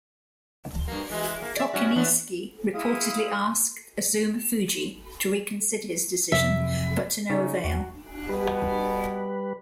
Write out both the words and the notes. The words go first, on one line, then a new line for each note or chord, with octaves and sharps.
Tochinishiki reportedly asked Azumafuji to reconsider his decision, but to no avail.
G2 A#3
E3 G#3
A#3
D5 E5
G3 C#4 F#4
E3 B3 D4
G#3 E4 F5 D#6
F2 C3 F#3 E5
C#3 C#4 D#4
E2 F#4
B2 G3 B4